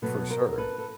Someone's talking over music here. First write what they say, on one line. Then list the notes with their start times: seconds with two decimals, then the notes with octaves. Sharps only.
For sure.
0.02 B2 F#3 B3 A4 B4
0.30 A#4 C5
0.58 A4 B4
0.78 A4